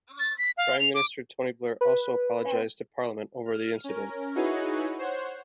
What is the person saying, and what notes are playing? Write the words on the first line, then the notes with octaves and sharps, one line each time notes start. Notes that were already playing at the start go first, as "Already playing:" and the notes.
Prime Minister Tony Blair also apologised to Parliament over the incident.
A6
B6
F5
F7
D6
B4
F6
C#4 A#4
D#4 E4 F#4 G#4 B4 C#5
C5 C#5 F#5